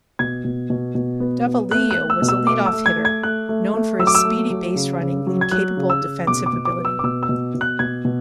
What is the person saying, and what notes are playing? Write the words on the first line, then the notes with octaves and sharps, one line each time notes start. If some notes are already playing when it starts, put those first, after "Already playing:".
Davalillo was a leadoff hitter known for his speedy baserunning and capable defensive ability.
B2 G#6
B2
B2
B2
B3
B3
A3 F#6
F#6
A3
E6
B2
E6
A3 D6
E6
A3
G#6
A3
G#6
A3 F#6
A3
A3
F#3 E6
D6
E6
A3
F#3
C#3
C#3
F#3
G#6
F#3 F#6
C#3
E6
C#3
B2 D6
D6
B2
D6
B3
E6
D6
B2 E6
E6
B2
B2
F#6
B2 G#6
B2